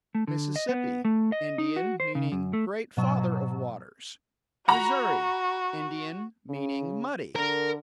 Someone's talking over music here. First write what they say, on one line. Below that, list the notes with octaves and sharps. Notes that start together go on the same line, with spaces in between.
Mississippi--Indian; meaning "great father of waters." Missouri--Indian; meaning "muddy."
A3
D3
D#5
B3
A3
D#5
D#4
F#4
C5
C#3
F#2
A3
G#2 B2 F#3
F#4 F#5 A#5 B5
C#3
D3 A#4